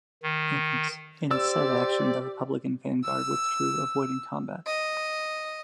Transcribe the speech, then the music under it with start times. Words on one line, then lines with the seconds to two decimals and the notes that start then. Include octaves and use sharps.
In said action, the Republican vanguard withdrew avoiding combat.
0.23 D#3
1.31 G4 C5 D5 E6
3.03 E6
4.66 D#5